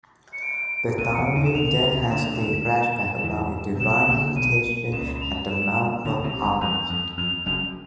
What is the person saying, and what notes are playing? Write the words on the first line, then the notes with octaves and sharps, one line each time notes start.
Bartholomew then has a flashback about a divine visitation at the Mount of Olives.
C#7
D7
C2 C3 D#7
E2 E3 C#7
D7
D#2 D#3 D#7
E7
C2 C3 F7
C#2 C#3
D2 D3 E7
F7
E7
E2 E3
C3
B1 B2 E7
A#1 A#2
B1 B2 D#7
C#2 C#3 E7
F7
E7
D2 D3 F7
C2 C3
G1 G2
F2 F7
F2
F2 F7
F#1 F#2